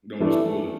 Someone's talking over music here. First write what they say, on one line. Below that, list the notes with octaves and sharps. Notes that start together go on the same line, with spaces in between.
Don't wanna spoil it.
E3 A3 D4